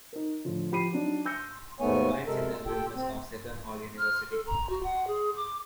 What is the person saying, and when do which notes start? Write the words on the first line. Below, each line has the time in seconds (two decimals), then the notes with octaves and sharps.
Miles is an alumnus of Seton Hall University.
0.13 D#4 A#4
0.45 A2 D3 F3
0.72 F3 G4 B5 C7 D#7
0.93 F#3 D4 D#4
1.26 E6 G6 A#6 C#7
1.80 D#2 G#2 A3 B3 C#5 G#5
2.27 C3 G#3 A4 A#4
2.66 G4 A4 G5
2.95 C4
3.99 F6
4.31 A4
4.47 A#5
4.70 F#4
4.83 F#5
5.07 G#4
5.36 D6